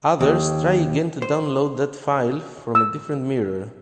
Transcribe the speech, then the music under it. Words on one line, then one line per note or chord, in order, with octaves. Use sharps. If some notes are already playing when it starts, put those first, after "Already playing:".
Others try again to download that file from a different mirror.
D#2
C5
E6